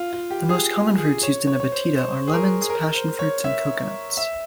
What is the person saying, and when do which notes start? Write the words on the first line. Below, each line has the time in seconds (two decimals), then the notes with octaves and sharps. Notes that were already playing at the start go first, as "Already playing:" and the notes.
The most common fruits used in a batida are lemons, passion fruits and coconuts.
Already playing: F4
0.13 F4
0.31 G4
0.49 G#4
0.98 G#4
1.23 C#5
1.47 C#5
1.60 C#5
1.72 C5
1.97 C5
2.28 G#4
2.33 A#4
2.62 G#4
2.69 A#4
2.95 C5
3.19 C#5
3.44 E5
4.17 E5